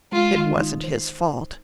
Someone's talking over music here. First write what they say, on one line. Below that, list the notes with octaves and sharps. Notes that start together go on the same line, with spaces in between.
It wasn't his fault.
G#3 F4
D#3
D#4
C5